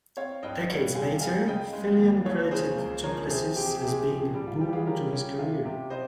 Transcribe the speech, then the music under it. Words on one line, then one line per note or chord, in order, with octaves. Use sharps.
Decades later, Filion credited Duplessis as being a boon to his career.
C4 C#5 F5
G2 D#5 G5
G3 C#5 F5
C4 F5 G#5
C#3 F5 G#5
C#3 D#5 G5
G#3
D#2
F3 C#5 F5
C#3 G#4 C5
C#2
F3 A#4 C#5
C3 G#4 C5
C4 G4
G#4
C3 G4
G#4
G4
F3
G3 G4
F4
G3 G4
F4 G#4
C#4 G4 A#4
C#4 G4
C3 F4
C3 G4
C3 C5 D#5